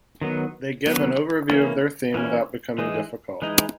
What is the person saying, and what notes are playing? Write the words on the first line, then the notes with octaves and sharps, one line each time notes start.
They give an overview of their theme without becoming difficult.
D#3 F#3 B3
D#3 F#3 B3
E3 A#3 C#4
E3 A#3 C#4
E3 G#3 D#4
E3 G#3 D#4